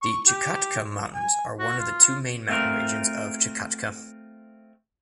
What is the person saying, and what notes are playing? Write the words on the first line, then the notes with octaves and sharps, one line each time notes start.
The Chukotka Mountains are one of the two main mountain regions of Chukotka.
C#6
G4
G#5
F#4
F4
A3 C4 F4 A#4